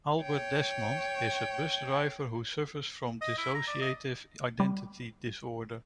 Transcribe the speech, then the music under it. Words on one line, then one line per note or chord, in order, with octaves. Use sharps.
Albert Desmond is a bus driver who suffers from dissociative identity disorder.
C#5 G5
D#5
E4
A#5
D5
D#5
G3